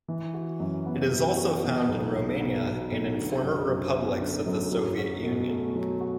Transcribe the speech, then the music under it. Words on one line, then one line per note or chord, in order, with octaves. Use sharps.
It is also found in Romania and in former republics of the Soviet Union.
E3
F#4
F#2
B3
E3
F#4
B2
B1
B1
B3
B2
B1
D3
F#2
F#2
B3
D3
F#2
F#3
F#4
B2
A3
F#3
F#4